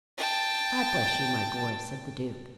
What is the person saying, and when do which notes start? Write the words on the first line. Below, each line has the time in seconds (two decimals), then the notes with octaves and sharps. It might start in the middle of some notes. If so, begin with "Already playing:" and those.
"God bless you, my boy!" said the Duke.
0.18 G5 A5